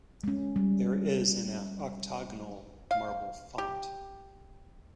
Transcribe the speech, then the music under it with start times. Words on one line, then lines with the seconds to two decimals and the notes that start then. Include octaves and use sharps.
There is an octagonal marble font.
0.24 G#3 C#4
0.56 G3
2.91 F5
3.58 G4